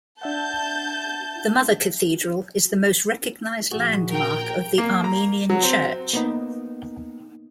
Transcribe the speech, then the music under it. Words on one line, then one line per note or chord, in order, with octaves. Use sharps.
The Mother Cathedral is the most recognised landmark of the Armenian Church.
D4 E5 F#5 A5 G6
A#1 F#4 G#4
A#4 G5
A#3
A#5
F#3
C4
A#3 B3 D#4